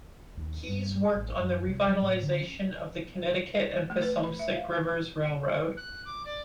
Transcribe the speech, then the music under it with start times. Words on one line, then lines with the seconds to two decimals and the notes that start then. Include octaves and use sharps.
Keyes worked on the revitalization of the Connecticut and Passumpsic Rivers Railroad.
0.37 D#2
0.68 G2
1.15 A1
1.40 F#2
1.67 C2
1.86 F#3
2.02 A2
2.23 D3
2.41 C#4
3.90 A3
4.02 B4
4.23 B5
4.39 E5
4.56 F5
5.77 F#6
6.06 D6
6.25 D5